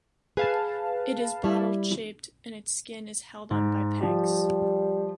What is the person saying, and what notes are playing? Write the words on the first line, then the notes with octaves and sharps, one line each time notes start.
It is bottle shaped and its skin is held on by pegs.
G#4 B4 F5 A5
G3 E4
G#2
F3 G3 G4